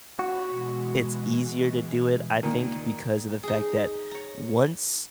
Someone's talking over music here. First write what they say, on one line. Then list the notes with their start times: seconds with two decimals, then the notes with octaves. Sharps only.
it's easier to do it, I think, because of the fact that once
0.19 F#4 C#5 F#5 B5
0.50 B2 E3 G#3
2.43 D#2 A#2 D#3
3.43 D#4 G#4
4.11 C#5 A#5